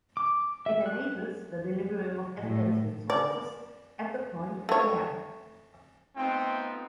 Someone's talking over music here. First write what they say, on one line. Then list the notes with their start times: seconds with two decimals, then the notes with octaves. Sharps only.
It enables the delivery of evidence resources at the point of care.
0.17 D6
0.66 E5
0.86 F#6
2.41 A2
3.10 D5
4.69 A3 C#5
6.16 A3 B3 C4 D#4 F4 G5